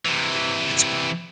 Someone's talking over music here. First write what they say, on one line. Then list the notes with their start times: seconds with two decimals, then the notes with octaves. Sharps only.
Is it it's
0.05 C3 E3